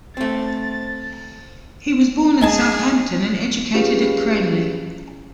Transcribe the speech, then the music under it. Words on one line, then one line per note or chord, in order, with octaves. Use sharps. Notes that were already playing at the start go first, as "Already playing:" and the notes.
He was born in Southampton and educated at Cranleigh.
A3 C4 A6
G#3 C#4 G#4 D#5 G#5 A5
C#4 F4 G4 G#4 B4 F5